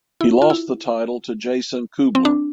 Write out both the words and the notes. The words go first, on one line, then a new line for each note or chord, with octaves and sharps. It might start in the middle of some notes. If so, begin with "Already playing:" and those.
He lost the title to Jason Kubler.
E4
F4
E4
C4
D4